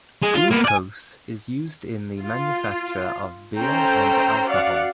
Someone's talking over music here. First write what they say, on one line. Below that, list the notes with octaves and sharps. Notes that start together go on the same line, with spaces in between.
Glucose is used in the manufacture of beer and alcohol.
G#3
F4
A#3 B3
D5 G#5
F4
C#4 A4 C5 G5 A#5
F#4 D5 F5 F#5